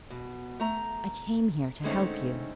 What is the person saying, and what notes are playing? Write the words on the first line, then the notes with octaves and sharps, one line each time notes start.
I came here to help you.
B2
A3 A#5
D3 G#3 A3 C4 C#4 D#4